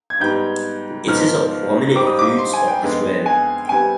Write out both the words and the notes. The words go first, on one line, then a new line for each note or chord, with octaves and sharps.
It is a prominent food spot as well.
G#6
G#2 G3 B3 G6
G#2 F3 B3 F6
G#2 G3 C4 D6
D#6
D6
C6
G#5
G5
F2 D3 G#3 B3
G#5
G5
C3 G3 B3 G#5